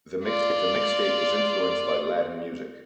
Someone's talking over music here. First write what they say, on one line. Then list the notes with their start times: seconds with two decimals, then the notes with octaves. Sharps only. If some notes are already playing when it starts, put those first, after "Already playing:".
The mixtape was influenced by Latin music.
0.25 F4 D5